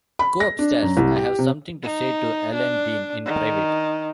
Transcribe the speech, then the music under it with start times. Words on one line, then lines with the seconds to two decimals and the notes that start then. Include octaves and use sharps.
Go upstairs; I have something to say to Ellen Dean in private.
0.19 B5
0.40 A#6
0.59 D4
0.83 F#2
0.97 C2
1.16 G4
1.39 C3
1.83 D#4
2.54 D4
3.26 D#3